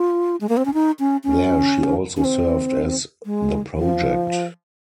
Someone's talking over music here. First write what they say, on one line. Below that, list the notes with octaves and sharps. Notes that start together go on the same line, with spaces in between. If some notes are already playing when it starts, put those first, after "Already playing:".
There she also served as the project.
Already playing: F4
G#3
A#3
C4
C#4
D#4
C#4
C#4
C#4
C4
G#3
F3